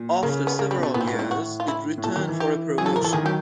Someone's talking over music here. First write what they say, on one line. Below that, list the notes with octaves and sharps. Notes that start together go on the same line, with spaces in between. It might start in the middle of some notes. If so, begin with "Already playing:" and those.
After several years, it returned for a promotion.
Already playing: A#2
C#3 A#3
B3
C#3 A#3
G3
B2
A3
A#2 B3
C4
A2 B3
G#2
C4
A2
F#4
F4
E4
A2
A#2 A4
D#3 G4
E3
G4
F#3 G#4
A4
F3
A#4
E3 A4
D#3 G#4
F#3 G4